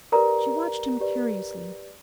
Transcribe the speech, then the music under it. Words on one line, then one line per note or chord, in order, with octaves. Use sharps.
She watched him curiously.
G4 A#4 B4 D5 A#5
G4 B4 D5